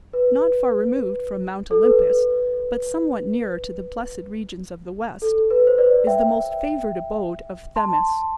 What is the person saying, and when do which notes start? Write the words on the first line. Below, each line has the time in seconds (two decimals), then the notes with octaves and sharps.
Not far removed from Mount Olympus, but somewhat nearer to the blessed regions of the West, is the most favoured abode of Themis.
0.13 B4
1.71 A4
1.83 B4
5.22 A4
5.51 B4
5.67 C5
5.78 B4 D5
6.07 E5 G5
7.76 A5 C6